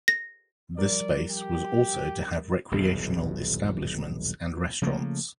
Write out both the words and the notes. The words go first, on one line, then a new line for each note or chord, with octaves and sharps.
This space was also to have recreational establishments and restaurants.
A#6
F3 G3 A#4 D5
G4
D#1 B1 E2 G2
C#3 F3 A3 A#3